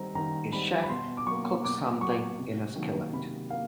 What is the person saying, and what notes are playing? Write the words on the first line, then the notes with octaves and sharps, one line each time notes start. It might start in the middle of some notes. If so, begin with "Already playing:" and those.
A chef cooks something in a skillet.
Already playing: D#3 G3 C4 D#4 A#5
D#3 A#5
G3 C4 D#4 B5
B5
B2 C6
D6
F#3 A#3 C#6
B2 D6
F#3 A#3 C#6
C3
D#3 F#3 A#3
C3 B5
A#3 F5